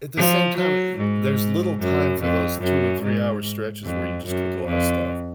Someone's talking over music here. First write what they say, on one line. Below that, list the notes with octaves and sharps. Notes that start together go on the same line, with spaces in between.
at the same time, there's little time for those two and three-hour stretches where you just cook a lot of stuff,
F3
F#3
G#2
F#2
F2
F#2
G#2
F2
F#2
F2